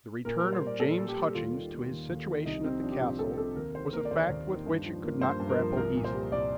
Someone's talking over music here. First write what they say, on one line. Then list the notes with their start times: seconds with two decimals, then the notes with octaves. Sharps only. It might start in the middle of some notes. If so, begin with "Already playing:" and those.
The return of James Hutchings to his situation at the Castle was a fact with which it could not grapple easily.
0.25 A#2 A#4
0.39 G3 A#4
0.53 C5
0.62 A#3 D5
0.80 A#2 A4
0.99 A#2
1.08 G4
1.17 G3
1.35 D#2 F4
1.53 D#3
1.72 A#3
1.90 D#2
2.09 D#2
2.27 D#3
2.45 C2 D#4
2.64 C3 C4
2.82 F3 D4
2.92 G4
3.00 C2 F4
3.19 C2 A4
3.37 C3 A4
3.56 D#2 A#4
3.75 D#3 C5
3.93 A#3 A#4
4.05 D5
4.11 D#2 C5
4.29 D#2
4.48 D#3
4.66 G2
4.85 F3
5.03 A#3
5.21 G2 C5
5.40 G2
5.49 A#4
5.58 F3
5.76 C2 A#4
5.95 A#2
6.04 C5
6.13 G3
6.31 C2 D5